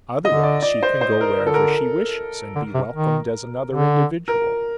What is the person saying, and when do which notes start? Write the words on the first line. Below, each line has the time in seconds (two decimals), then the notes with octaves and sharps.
Otherwise she can go wherever she wishes and be welcomed as another individual.
0.24 D3 D#5
0.43 D5
0.62 D5
0.83 C5
1.01 C5
1.21 A#4
1.40 D3 A#4
1.46 A4
1.54 A#4
2.56 D3
2.74 C3
2.94 D#3
3.70 D3
4.28 A#4